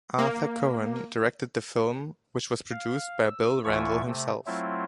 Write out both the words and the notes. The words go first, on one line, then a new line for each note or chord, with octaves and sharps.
Arthur Cohen directed the film, which was produced by Bill Randle himself.
A#3
F5
E6
D2 E3 A3 E4 F4 C#6
C3 A3
F#3 A3 C4 E4 F4